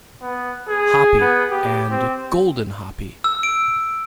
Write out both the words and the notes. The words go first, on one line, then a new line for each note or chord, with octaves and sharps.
"Hapi" and "Golden Hapi".
B3
G#4
B3
G4
C4
E6
D7